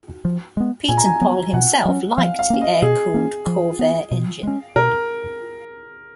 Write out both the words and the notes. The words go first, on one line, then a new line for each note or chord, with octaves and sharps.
Pietenpol himself liked the air-cooled Corvair engine.
F3
G#3 B3
A#2 G#5
A#5
G#5
F#3 B3
B2 F#5
F#3 C#4
F3 F5
F5
A#3 C#4
D#5
B2 G#4
A#3 C#4
F3
B3
B2
G#3 C#4
B2 A#4